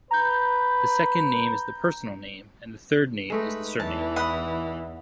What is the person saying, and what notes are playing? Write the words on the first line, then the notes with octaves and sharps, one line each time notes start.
The second name is the personal name and the third name is the surname.
B4 A#5 G6
G#3 A3 D#4 B4
E2 E3 A5
D#5 F#5 B5